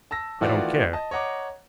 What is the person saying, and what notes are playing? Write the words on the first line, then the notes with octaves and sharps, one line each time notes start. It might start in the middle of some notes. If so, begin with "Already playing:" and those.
I don't care.
A5 E6 A#6
D#3 E3 A3 F4 F#4 D5
D#5 A5
C#5 D#5 F#5 A#5 D6